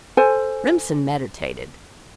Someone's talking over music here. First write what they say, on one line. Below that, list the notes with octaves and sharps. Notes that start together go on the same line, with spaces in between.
Remsen meditated.
A4 C5 G#5